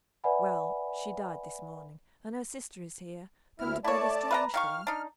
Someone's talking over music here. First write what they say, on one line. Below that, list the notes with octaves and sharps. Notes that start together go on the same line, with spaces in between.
'Well! she died this morning, and her sister is here--come to beg a strange thing.
B4 D5 E5 F#5 G#5 B5
D2 E4 F6
A3 E4 C#5 D5 A5
B4 F5 A#5
D#3 F5 C#6 F6
D4 D#4